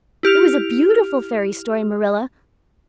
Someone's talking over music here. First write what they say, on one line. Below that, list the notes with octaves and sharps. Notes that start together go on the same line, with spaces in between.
It was a beautiful fairy story, Marilla.
E4 G4 F6 F7